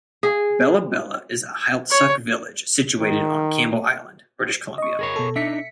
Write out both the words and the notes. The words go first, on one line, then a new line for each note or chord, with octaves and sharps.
Bella Bella is a Heiltsuk village situated on Campbell Island, British Columbia.
G#4
C#5
D#3
D#5 C#6
G#4 A#4 C#5
B2 A4
D4 D#4 E5 B6 C#7